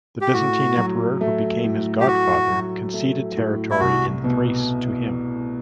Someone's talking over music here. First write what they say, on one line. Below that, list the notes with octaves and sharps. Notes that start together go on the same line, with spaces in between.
The Byzantine Emperor who became his godfather conceded territory in Thrace to him.
G4
A2 F#4
F#3
A3
A2
G4
A2 F#4
F#3
A3
A2
E4
C2 F#4
B2